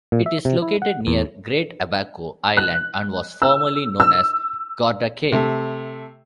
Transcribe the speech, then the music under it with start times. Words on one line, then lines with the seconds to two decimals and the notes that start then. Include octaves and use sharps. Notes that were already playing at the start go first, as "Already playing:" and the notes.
It is located near Great Abaco Island and was formerly known as Gorda Cay.
0.12 A#2
0.26 E5
0.45 C3
0.62 E4
0.82 F#5
1.07 E2
2.57 F#6
3.42 E6
4.00 E6
5.32 C3 A3